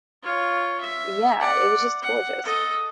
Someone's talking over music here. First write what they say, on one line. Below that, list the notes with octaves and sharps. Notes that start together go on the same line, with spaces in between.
yeah, it was just gorgeous.
F4 C#5
E5
D5 F#5
F#5
A4 D#5